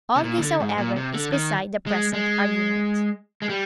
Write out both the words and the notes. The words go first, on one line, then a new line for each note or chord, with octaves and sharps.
All this, however, is beside the present argument.
C3
A#2
D#3
D3
G#2
A#2
C3
D3
D#3
G#3
G#3
G#3
G3